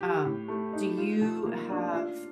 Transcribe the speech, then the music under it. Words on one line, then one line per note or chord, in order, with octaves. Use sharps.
Um, do you have
G4
A2
A3
D#4
F4
F3
A#3
D4
F4